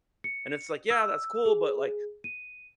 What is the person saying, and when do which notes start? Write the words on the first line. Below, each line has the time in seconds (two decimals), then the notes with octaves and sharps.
And it's like, yeah, that's cool, but like,
0.24 C#7
0.90 E6
1.46 G#4
2.24 D#7